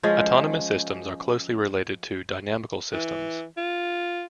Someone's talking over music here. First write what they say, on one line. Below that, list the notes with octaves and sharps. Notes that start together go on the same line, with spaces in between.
Autonomous systems are closely related to dynamical systems.
F3 G#3 C#4 G#4
E3
F4